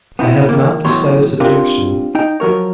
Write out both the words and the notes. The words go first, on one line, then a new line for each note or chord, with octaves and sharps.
I have not the slightest objection.
B3 C4 E4
D#3 A#3
A2 D#3 F#3 B3 C#5 C6
C4 D4 F4 G4 A#4
D#4 G5
F3 F#3 A#4 C#5